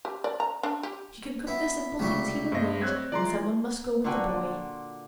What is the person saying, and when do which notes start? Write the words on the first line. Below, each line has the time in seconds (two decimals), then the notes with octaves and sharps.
She can cook the simple things he will need and some one must go with the boy.
0.05 G4
0.24 D5
0.40 A#5
0.63 D4
0.83 G4
1.47 B3 E4
1.99 C#2 C3 G3 A3 C#6
2.52 G2 C5 D#5 A#6
2.81 C4 C#5 F#6 G#6
3.12 E3 F3 G#3 D5 A#5 C6
4.04 A#2 D3 F4 F#4 G5 G#5